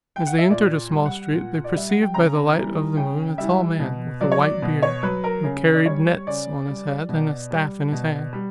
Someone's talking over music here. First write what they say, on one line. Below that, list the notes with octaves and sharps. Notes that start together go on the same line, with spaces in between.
As they entered a small street, they perceived by the light of the moon, a tall man, with a white beard, who carried nets on his head, and a staff in his hand.
G5
F#5
E5
A#2 D5
G3
F#5
A#2
D5
G3 E5
F#5
G5
C#3 A#5
E3 G3
C#3 G5
E3 G3 E5
B2
F#3 D5
C#5
D5
B2
C#5
F#3 B4
A#4
C#3
D5
G3 C#5
C#3 D5
G3
B2
G3
B2
G3